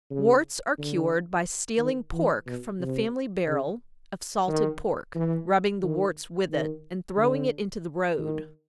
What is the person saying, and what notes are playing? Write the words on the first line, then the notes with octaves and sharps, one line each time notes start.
Warts are cured by stealing pork from the family barrel of salted pork, rubbing the warts with it, and throwing it into the road.
C#3
D3
D#3
E3
B2
C3
C#3
D#3
E3
D#3
D#3
D3
D#3